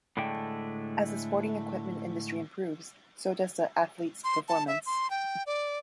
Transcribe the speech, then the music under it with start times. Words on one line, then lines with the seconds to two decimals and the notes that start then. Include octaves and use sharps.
As the sporting equipment industry improves, so does the athletes performance.
0.17 A2 D3 G#3 A3 D4 G5
4.24 C6
4.48 A5
4.68 E5
4.86 C6
5.10 G5
5.47 D5